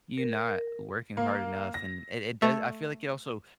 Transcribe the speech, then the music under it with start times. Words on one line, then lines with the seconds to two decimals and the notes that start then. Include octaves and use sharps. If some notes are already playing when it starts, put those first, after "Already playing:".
you not working hard enough, and it it does I feel like it also
0.18 A#4
1.17 A#3
1.74 A#6
2.42 A3